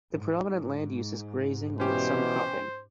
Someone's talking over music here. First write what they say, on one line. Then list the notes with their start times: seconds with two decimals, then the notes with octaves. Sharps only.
The predominant land use is grazing with some cropping.
0.12 G#2
1.80 B2 E3 C#4 G4 C5